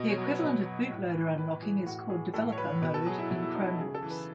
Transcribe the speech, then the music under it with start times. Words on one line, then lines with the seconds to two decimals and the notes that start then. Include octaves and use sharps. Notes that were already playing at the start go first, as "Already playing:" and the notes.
The equivalent of bootloader unlocking is called developer mode in Chromebooks.
Already playing: B2 D#5
0.10 C#5
0.18 F#3
0.25 B4
0.34 C#5
0.42 B2 B4
0.66 F#3
0.90 A2
1.14 E3
1.38 A2 B4
1.62 E3 G#4
1.86 A2 F#4
2.00 F#4
2.10 E3 G#4
2.34 A2 A4
2.52 C#5
2.58 E3 B4
2.82 B2 B4
2.94 A4
3.06 F#3 G#4
3.19 E4
3.30 B2 E4
3.43 E4
3.55 F#3 D#4
3.66 E4
3.78 C#3 G#4
3.95 A4
4.02 E3
4.10 B4